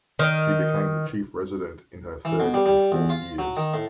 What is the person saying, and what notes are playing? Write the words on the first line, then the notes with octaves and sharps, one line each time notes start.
She became the Chief Resident in her third and fourth years.
D#3
E3
B2
G3
G3
E2
F4
F#3
D#3
A2